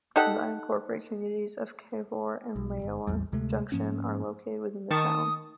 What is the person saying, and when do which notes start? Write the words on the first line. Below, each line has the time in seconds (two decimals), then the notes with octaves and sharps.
The unincorporated communities of Cavour and Laona Junction are located within the town.
0.16 D#4 G4 A4 F#5
2.56 B1
2.79 D1 G1
3.07 A1 E2 G3
3.32 D2 C3 G#3 A3
3.72 G#2 F3 A#3 C#4
4.90 D#3 A5 C#6 D#6